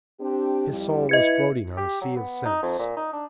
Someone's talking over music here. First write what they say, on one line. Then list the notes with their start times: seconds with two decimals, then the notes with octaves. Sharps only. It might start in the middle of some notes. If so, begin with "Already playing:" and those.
His soul was floating on a sea of sense.
0.20 C4 D4 G4
0.68 F2 G3 E4
1.09 E4 B4 D#5 G#6 C#7
1.77 G4
2.02 F#3
2.16 B3
2.45 D#4
2.63 F2
2.79 A#2
2.97 D#4
3.13 D4